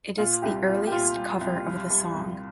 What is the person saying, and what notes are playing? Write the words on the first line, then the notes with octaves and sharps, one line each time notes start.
It is the earliest cover of the song.
A#2 F4
C2 G4
C2 F4
G4
A#2 F4
G3
C2
G3
G3
C2